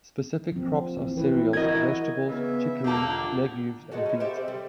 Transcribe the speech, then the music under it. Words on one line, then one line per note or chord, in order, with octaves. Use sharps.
Specific crops are cereals, vegetables, chicory, legumes, and beet.
F3 C4
E3 C4
C4 E4 B4
E4 F#4 A#4 D#5 G#6
C#3 B3 E5
E1 D3 A#3 F4 G4 A5
G#3 D#4 F#4 A4
B3 C#4
G4 A4 C5 E5
C4
G3